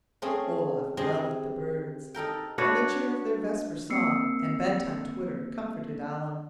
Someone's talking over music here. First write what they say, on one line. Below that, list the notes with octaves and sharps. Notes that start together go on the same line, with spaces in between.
Olaf loved the birds, and the cheer of their vesper song and bedtime twitter comforted Alan.
A3 C4 C#4 G#4
C3 C4 G#4 D#5 A5
D#4 A4 A#4 G5
D4 F#4 B4 C#5
A#3 C4 E6 C7 C#7